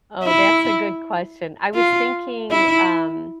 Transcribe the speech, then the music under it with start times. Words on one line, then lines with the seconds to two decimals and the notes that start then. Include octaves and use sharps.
Oh, that's a good question. I was thinking, um,
0.23 E4
1.74 F4
2.51 E4